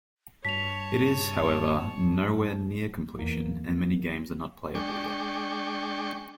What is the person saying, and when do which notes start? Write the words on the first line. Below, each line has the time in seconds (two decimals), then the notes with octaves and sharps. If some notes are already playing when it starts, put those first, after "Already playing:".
It is, however, nowhere near completion and many games are not playable yet.
0.45 G2 C#5 A5 B6 F7
3.19 E2 A#3
4.75 G#3 D4 G5 C#6